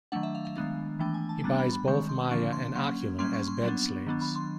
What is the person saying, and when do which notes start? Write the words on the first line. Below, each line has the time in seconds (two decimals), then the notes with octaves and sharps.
He buys both Maia and Occula as "bed-slaves".
0.12 D#3 F#3 A3 D4 F#5
0.23 E5
0.35 F5
0.45 F5
0.57 D#3 G#3 B3 D4
0.99 E3 A3 D4 G5
1.14 G#5
1.29 A5
1.44 G3 B3 D4 A#5
1.58 B5
1.73 B5
1.87 D#3 G#3 C4 C#6
2.09 C6
2.31 D3 F3 A#3 D4 C#6
2.53 C6
2.75 F#3 A#3 C#4 C6
3.18 G3 A#3 C#4 C6
3.33 C#6
3.48 C6
3.63 F#3 B3 D4
4.06 D#3 F#3 B3 D4
4.21 B5
4.36 C6